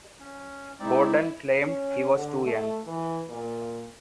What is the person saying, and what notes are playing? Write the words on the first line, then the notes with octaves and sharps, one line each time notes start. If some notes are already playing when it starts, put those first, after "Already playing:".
Bordat claimed he was too young.
C#4
G#3 C4 D#4 E4 D5
C#4
D3
A3
E3
A#2